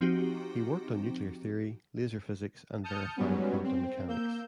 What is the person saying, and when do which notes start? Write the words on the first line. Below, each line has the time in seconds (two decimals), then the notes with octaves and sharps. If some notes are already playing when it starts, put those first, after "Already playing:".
He worked on nuclear theory, laser physics, and verifying quantum mechanics.
0.01 F3 C4 D#4 F#4 G4
2.83 A5 D#6 F6 G6 C#7
3.16 G#2 F#3 G3 B3 C#4
3.64 C4
4.08 A#3 E6 G6